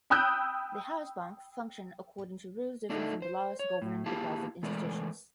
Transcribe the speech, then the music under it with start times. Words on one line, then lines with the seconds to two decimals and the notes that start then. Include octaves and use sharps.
The House Bank functioned according to rules different from the laws governing deposit institutions.
0.10 G5 B5 D#6 E6 F#6 G6
2.90 A3 D4 D#4 A4 D#5 E5
3.22 C5
3.59 C#5
3.82 A2
4.06 A#3 E4 G4 G#4 F5 A5
4.63 E3 G#3 A3 A#4 B4 D5